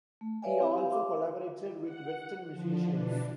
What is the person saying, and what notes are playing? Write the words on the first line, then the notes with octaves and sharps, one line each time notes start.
He also collaborated with Western musicians.
A3
B4 C#5 D5 E5 F5 G#5
C4 E4 G4
G4 F5
F5 C6 D6
F#5
D3 F3
B2 E3 D4